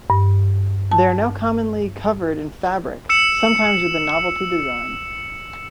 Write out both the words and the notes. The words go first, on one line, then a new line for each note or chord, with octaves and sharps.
They are now commonly covered in fabric, sometimes with a novelty design.
G2
A5
E6 C#7 E7